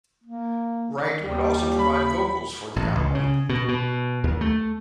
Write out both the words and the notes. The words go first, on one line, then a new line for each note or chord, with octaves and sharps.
Wright would also provide vocals for the album.
A#3
D#2 G3
B5
A1
C#2
C#3
B2
B2
D#2
A3